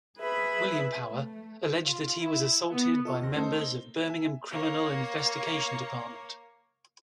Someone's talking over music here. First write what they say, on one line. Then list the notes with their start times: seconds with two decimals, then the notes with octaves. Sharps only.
William Power alleged that he was assaulted by members of Birmingham Criminal Investigation Department.
0.19 G#4 B4 E5 B5
1.12 A3
1.84 F4
2.21 E4
2.71 B3
3.05 F4 A4 D#5 C#6
3.20 D#2 C4 D#5 A#6
3.34 A3 C#4 D#4 A4 C5
3.61 A#3 G7
4.09 E5 G#5
4.51 A#3 C#5